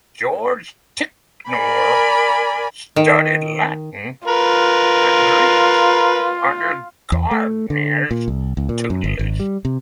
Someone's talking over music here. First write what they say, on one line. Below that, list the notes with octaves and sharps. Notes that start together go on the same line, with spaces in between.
George Ticknor studied Latin and Greek under Gardiner's tutelage.
A#4 D5 G#5 B5
D#3
F4 A#4 B4
E2
A3
D3
A#2
C2
C#2
A#2
F#2
G1
G#1
G3
C3